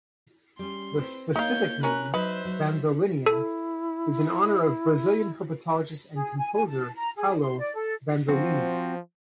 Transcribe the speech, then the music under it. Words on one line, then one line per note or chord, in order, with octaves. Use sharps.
The specific name, "vanzolinia", is in honor of Brazilian herpetologist and composer Paulo Vanzolini.
G3 C#4 C6
C4 B4
A#3 D#4 C#5 F5 G6
C#4 A#4 B4 F#6
F#3 D#4 B4 C5 E5
F#3
E4 A4
G#4
G#5
G#5
A5
A#5
G#4
C6
D5
A4
F3 C4 F#4